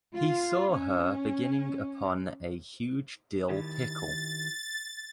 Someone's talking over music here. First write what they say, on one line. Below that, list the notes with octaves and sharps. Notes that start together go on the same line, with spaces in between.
He saw her beginning upon a huge dill pickle.
F4
C#4
D#3 E4 G4 A6